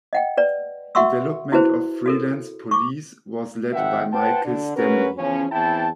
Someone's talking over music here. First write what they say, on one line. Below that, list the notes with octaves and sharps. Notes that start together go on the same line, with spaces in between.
Development of "Freelance Police" was led by Michael Stemmle.
D#5 F#5 G5
B4 D5
F#4 E5 F#5 C6 C#6 E6
E4 F#4 G#4 B4 C5
F#4 A4 A#4
C#6 D6
G#1 D#3 F3 E5 F#5 G5
B4 C5 F#5 G5 A5
D3
C#4 F#4 G#4 A#4 B4
E2 C#3 F3 C#4
E2 E3 C4 E4 G5 A5